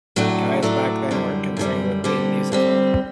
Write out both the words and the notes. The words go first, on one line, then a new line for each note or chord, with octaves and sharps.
Guys back then weren't concerned with being musical.
A2 F#3 A3 D4
A2 F#3 A3 D4
F#2 D3 G3
F#2 D3 G3
D3 G3 C4
D3 G3 C4